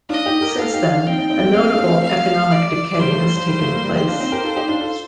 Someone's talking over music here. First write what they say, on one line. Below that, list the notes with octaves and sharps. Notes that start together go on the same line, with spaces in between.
Since then, a notable economic decay has taken place.
D4 F4 D#5
D#4 G4
G4 A#4
F4 A4 F5
D#4 G4
D4 F4
C4 D#4 G5
C4 D#4
C4 D#4
A3 C4
A3 C4 F5
D4
A3 C4
F5
D5
G3 C5
F3 A3
G3
F3
G3
F3 A3
G3 A#3
G3 A#3
D#4 G4 C5
D4 F4
C4 D#4
G4 A#4
F4 A4
D#4 G4
D4 F4
F4 A4